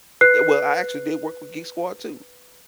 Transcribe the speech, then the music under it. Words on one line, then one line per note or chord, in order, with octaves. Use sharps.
Eh, well, I actually did work with Geek Squad, too.
B4 F#6 C7